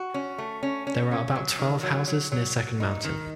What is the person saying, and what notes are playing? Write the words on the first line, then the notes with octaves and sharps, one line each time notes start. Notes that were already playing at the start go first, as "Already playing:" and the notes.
There are about twelve houses near Second Mountain.
Already playing: F#4
C#4
A3
C#4
C#4
C#4
F#3
D#3
F#3
F#3
F#3
F#3
D#4
D#3